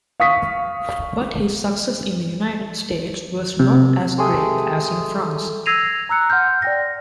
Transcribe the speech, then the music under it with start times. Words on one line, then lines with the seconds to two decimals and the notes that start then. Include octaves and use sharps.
But his success in the United States was not as great as in France.
0.20 F5 C#6 D#6 B6
3.59 C3
4.18 G#3 A3 G4 G#4
5.66 E6 G#6 A#6 C7 D#7 F7
6.09 A#5 E6 F#6 C#7
6.30 F#5 C6 F6 G6
6.62 D5 G5 A#6